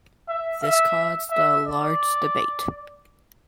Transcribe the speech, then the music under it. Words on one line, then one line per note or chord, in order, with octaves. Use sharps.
This caused a large debate.
E5
E5
E5
D5